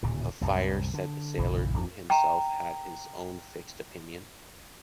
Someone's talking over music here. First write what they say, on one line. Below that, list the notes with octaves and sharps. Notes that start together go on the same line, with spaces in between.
Of fire, said the sailor who himself had his own fixed opinion.
D1 A#2 C#3
C2 F#2 A2
D3
F#1 B1 A#2 E3
G#1 F2
G5 A#5